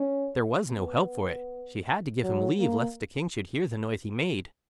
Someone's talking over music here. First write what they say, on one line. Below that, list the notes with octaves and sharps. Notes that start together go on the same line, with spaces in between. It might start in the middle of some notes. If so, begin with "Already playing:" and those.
There was no help for it; she had to give him leave, lest the king should hear the noise he made.
Already playing: C#4
B3
F#3
A#3